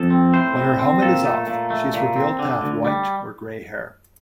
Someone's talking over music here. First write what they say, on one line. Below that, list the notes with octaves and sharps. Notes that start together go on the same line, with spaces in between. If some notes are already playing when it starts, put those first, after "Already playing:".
When her helmet is off, she is revealed to have white or grey hair.
Already playing: F2 A4
C4
A2 C5
C4
C4
A#2 A4
A3
A#2
A3
A#2
C4
D3
D2
G3